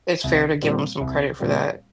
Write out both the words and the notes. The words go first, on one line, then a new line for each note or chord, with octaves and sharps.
it's fair to give 'em some credit for that.
C2
A#2 G3 C4
C2
A#2 G3 C4